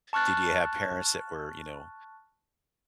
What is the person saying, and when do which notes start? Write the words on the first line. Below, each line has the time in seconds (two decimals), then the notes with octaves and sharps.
Did you have parents that were, you know,
0.13 A5 C#6 F6 F#6 A6